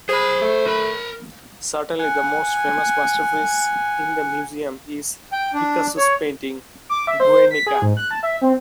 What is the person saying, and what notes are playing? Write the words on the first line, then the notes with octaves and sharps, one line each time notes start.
Certainly, the most famous masterpiece in the museum is Picasso's painting "Guernica".
G#4 C5 B5
A3
A#4 B5
F#5 G#5
G5
D4
C#5
D6
E5
C5
C5
B6
G#4
G#2
F#6
A5
E5
C4